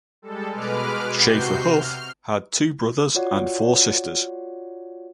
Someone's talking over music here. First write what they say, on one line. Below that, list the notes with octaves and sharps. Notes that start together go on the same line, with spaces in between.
Schaeffer Huff had two brothers and four sisters.
G3 G#3 A4
B2 G#3 B4 D6 F6
C3 F#4 G6 C7
F6
F4 F#4 C#5 D5 F#5